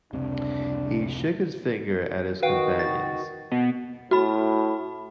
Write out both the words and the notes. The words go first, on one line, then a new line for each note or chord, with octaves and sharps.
He shook his finger at his companions.
F1 C#2 C3 D4
D#3 F#4 B4 F5 G5
A6
B2
A2 F#4 B5